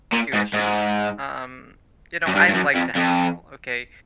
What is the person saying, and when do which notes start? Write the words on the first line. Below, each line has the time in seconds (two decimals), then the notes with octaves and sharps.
few issues, um, you know, I like to help people, okay,
0.13 A#2
0.33 G#2
0.54 G#2
2.27 F#2
2.35 G2
2.48 G2
2.54 F#2
2.75 F2
2.95 F2